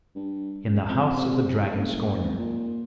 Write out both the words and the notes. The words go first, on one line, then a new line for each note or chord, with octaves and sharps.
In the House of the Dragon Scorner.
G2
C#2
F2
C3
C2
F#1
G#1
A#2